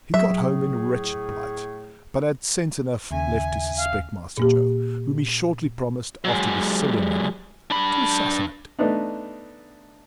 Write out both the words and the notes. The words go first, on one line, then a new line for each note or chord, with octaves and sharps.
He got home in wretched plight, but had sense enough left to suspect Master Joe, whom he shortly promised, after the Sicilian manner, to assassinate.
A2 F#3 A3 G#4 E5
D#2 C#3 E5 G#5
F5
A#2 A#3 G4
F#3 G#3
D4 B5
A3 B3 D4 D#4